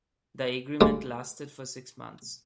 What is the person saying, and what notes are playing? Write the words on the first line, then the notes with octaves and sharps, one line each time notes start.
The agreement lasted for six months.
D2 G3 G#3 A#3